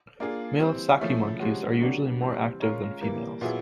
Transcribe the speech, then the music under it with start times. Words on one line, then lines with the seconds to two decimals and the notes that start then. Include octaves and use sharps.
Male saki monkeys are usually more active than females.
0.20 A#3 D4 F4 G#4
0.59 E3 G3 C4
1.00 C#3 F3 A3 C#4 E4
1.40 C3 F3 G#3 C#4 F#4
1.80 D3 F#3 A#3 D4 G4
2.21 C3 E3 G3 C4
2.60 G#3 C#4 F4 A#4 C#5
3.01 E3 G3 A#3
3.41 A#2 F#3 B3 E4 G#4